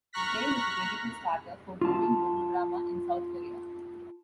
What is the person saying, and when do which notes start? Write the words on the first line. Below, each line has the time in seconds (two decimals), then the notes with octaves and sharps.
The play was a critical starter for booming mono drama in South Korea.
0.13 A#5 C#6 F6 F#6 A#6 B6
1.81 F4 A5